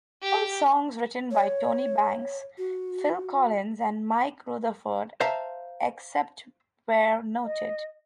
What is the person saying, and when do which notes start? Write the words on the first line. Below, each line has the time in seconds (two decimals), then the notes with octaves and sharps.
All songs written by Tony Banks, Phil Collins, and Mike Rutherford, except where noted.
0.22 G4
1.31 C#5
2.58 F#4
5.20 C5 E5 F5 A5 A#5
7.44 D#5